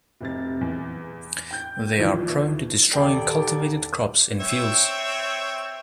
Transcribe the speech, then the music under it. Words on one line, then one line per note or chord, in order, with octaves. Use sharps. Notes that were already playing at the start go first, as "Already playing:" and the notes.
They are prone to destroying cultivated crops in fields.
F1 C3 A6
E2
G5 G6
D#2 E3 F3 D4
D#1 G4 A4 D5 G5
C4 C#5 E5